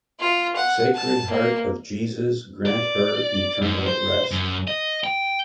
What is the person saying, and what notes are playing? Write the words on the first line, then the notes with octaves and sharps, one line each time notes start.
Sacred Heart of Jesus grant her eternal rest.
F4
F#5
A5
A#3
D5
F#2
C5
F#2
D#5
G5